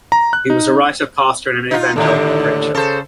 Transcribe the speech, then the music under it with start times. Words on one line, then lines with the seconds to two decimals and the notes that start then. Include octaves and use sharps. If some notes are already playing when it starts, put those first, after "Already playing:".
He was a writer, pastor and an evangelical preacher.
0.12 A#5
0.33 F#6
0.50 D#4
1.71 D#4 F4
1.96 D#2 A2 D3
2.75 C#3 A4 C5